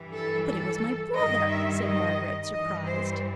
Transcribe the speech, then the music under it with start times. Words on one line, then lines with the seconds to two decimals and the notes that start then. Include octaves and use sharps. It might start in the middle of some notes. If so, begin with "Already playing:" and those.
'But it was my brother!' said Margaret, surprised.
Already playing: G2 E3 G3
0.13 A4
0.46 A4
1.15 G2 D#3 G3 D#5
1.49 E5
1.84 D#5
2.52 G2 E3 G3 D#5
2.86 C5